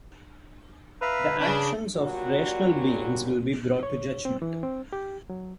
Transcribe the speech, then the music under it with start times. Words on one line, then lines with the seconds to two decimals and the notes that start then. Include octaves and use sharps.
The actions of rational beings will be brought to judgment.
1.01 B4 E5 F5 A#5
1.41 C#3 C#4 D4 B5
1.96 A#2 F#3 G3 F#4
3.83 C#5
4.25 C4
4.42 E3
4.63 C4
4.93 G4
5.30 F#3